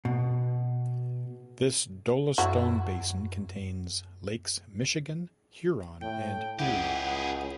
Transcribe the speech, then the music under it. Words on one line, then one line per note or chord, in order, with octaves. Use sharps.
This dolostone basin contains Lakes Michigan, Huron, and Erie.
B2
F#2 E4 F#4
A2 G5
C#2 E4 G4 G#4 F#5